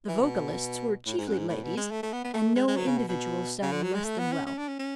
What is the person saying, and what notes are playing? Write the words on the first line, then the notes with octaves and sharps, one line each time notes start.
The vocalists were chiefly ladies, and no individual sang less than well.
E3
B2
A2
G#2
F#2
G#2
A2
B2
G#3
A3
A3
B3
B3
A3
G#3
G#3
F#3
C#3
B2
B2
C#3
D3
F#3
G#3
A3
B3
C#4
C#4
D4
C#4
C#4